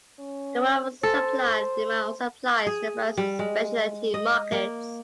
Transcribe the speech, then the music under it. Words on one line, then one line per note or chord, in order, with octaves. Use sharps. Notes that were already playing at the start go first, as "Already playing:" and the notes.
The model of supply and demand also applies to various specialty markets.
C#4
A4 C5
G#4
G3
G#3
D#5
A#3